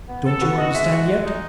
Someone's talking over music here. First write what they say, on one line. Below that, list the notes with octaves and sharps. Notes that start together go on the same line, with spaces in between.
"Don't you understand yet?"
B3
A4
B3 F#4
F#4 D#5
G#3 E5
F#4
G#3
D#4